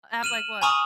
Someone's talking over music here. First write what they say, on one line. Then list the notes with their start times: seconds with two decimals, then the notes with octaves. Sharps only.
App like what?
0.23 F6 D#7 E7 F#7
0.62 G#5 A#5 B5 C#6 D#6 F6